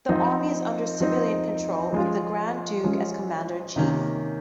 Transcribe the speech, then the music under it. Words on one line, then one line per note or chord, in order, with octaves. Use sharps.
The army is under civilian control, with the Grand Duke as Commander-in-Chief.
F3 C4 D#4
F3 C4 D#4
F3 G#3 C#4 F4
F3 G#3 C#4 F4
C3 D#3 A#3 C#4